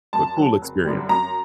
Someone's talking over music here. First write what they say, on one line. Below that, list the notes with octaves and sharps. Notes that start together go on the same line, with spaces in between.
but cool experience.
F#2 A5
F#3
F#1
F#2 D3 G3
F#2 A#5